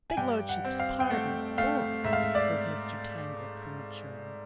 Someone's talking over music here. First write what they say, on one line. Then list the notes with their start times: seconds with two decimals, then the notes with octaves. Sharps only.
"Begludship's pardon--boy," says Mr. Tangle prematurely.
0.10 G#5
0.17 G2 G5
0.49 F#5
0.65 C4
0.80 F5
1.00 G5
1.10 A3 F#5
1.58 A3 F5
2.04 G#2 E5
2.13 F5
2.22 E5
2.35 D5